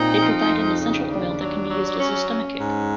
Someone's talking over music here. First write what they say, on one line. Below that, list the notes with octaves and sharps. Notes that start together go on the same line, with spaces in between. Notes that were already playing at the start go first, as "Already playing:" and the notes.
They provide an essential oil that can be used as a stomachic.
Already playing: A#2 C4 D#4
F3
F2
C#3
D#2 D4
F#3
F#3
C#4
C#4
G#2